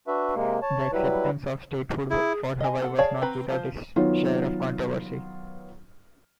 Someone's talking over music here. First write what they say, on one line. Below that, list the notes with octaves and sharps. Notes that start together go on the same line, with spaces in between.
The acceptance of statehood for Hawaii was not without its share of controversy.
D4 F#4 B4 E5
C3 G#3 A#3
C#5 A5
F#3 G3 E4 B4
E4 G#4
D#5 G#5
B3 A4 F#5
G#4 C#5 D5 F5 A5
C4 F#4 B4 A#5
F3 F4 C5
D#3 F#3 B3 F4